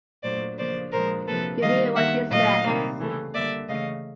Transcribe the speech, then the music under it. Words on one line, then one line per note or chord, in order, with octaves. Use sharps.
You hear what she says.
A#2 F#3 A3 C5 D5
C#3 F3 A#3 C5 D5
A#2 F3 G#3 A#4 C5
C3 F3 A#3 A4 B4
D#3 G3 A#3 D#5 F5
D#3 G3 A#3 E5 F#5
A#2 F#3 A3 D#5 F5
C3 D#3 G3 A#3
C#3 E3 A3
D3 G3 A#3 D5 E5
C#3 E3 A3 D#5 F5